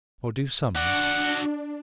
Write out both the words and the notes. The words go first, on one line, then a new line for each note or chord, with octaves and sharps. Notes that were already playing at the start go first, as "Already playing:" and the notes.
"Nor do sums?"
D4 F#4 D5 F#5